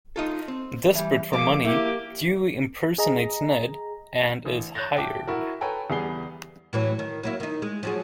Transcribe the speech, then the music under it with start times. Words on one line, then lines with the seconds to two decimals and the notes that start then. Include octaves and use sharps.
Desperate for money, Dewey impersonates Ned and is hired.
0.16 D#4 F4 A4
0.48 C4
0.95 E3 G3
1.33 F3 G#3 A#3 D6
1.65 A#3 E4 G4
2.98 G#4 D#5 A#5
4.45 A1
4.75 C#5 F#6 G6 A6 A#6
4.96 E5 G5 A5 D6
5.27 E4 F#4 A#4
5.61 A4 B4 C#5 G5 G#5 A#5
5.90 E2 G3 B3 G#4 C7 G7
6.73 A2 E3 F#3
6.99 D#3
7.23 F#3 A#3 E4
7.40 D#3 D#4
7.62 G#3
7.83 F3 F#3 G#4